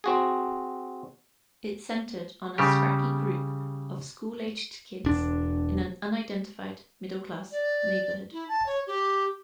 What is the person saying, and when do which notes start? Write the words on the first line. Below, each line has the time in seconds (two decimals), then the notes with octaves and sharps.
It centered on a scrappy group of school-aged kids in an unidentified, middle-class neighborhood.
0.04 C4 F#4 G#4
2.58 C#3 G3 G4
5.05 E1 D4
7.52 D5
8.32 E4
8.49 A5
8.66 C#5
8.87 G4